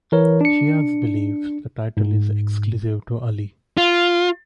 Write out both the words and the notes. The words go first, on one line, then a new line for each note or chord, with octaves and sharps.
Shias believe the title is exclusive to Ali.
E3 A#4 C#5
D4 C#7
G#2
F4